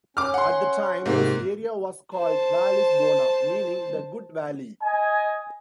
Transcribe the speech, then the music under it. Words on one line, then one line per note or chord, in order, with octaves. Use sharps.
At the time, this area was called "Vallis Bona", meaning "the good valley".
C#4 D6 F6
F#5 C6
G#2 C3 A#3 F#4
C5 A5
D#5 G#5